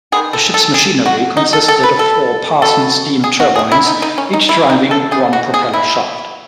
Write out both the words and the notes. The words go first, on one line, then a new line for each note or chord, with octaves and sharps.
The ship's machinery consisted of four Parsons steam turbines, each driving one propeller shaft.
D#3 G#3 B3 G#4
A4
A4
G#4
F#4
D#4
A4
A4
B4
A4
B2 F#3 B3 A4
G#4
F#4
G#4
E4
D#4
D#4
C#4
D#4
E4
D#4
A4
E3 A3 G#4
F#4
G#4
E4